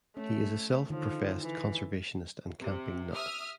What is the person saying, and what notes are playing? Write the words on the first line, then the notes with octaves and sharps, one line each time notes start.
He is a self-professed conservationist and camping nut.
A3 C#4
D3 D#3 F3
E3
C3
E5 D#6 F6